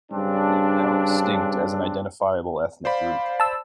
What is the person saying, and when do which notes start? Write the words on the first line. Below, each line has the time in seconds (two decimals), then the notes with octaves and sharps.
They are now extinct as an identifiable ethnic group.
0.11 G2 C#3 C4 D4
2.85 C5 D5 F5 B5
3.40 A5 E6